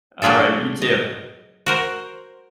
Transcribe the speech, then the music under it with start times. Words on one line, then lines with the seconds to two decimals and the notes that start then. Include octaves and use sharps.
Alright, you too.
0.22 F#3 D4 F4 G#4 A4
0.82 D#5
1.66 F#4 A#4 C5